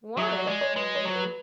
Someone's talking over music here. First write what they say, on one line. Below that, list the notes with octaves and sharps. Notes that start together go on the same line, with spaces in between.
"Want it?" angrily.
F#3 E5
D5
G#3 D5
C#5
G#3 B4
C#5
F#3
B4